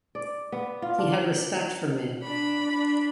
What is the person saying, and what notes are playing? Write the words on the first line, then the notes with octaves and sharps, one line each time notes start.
He had respect for me.
D5
B3
F4
D4
D4 B5
D4